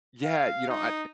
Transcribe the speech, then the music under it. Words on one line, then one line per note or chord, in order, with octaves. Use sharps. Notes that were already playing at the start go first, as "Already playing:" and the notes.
Yeah, you know, I
F5
D#4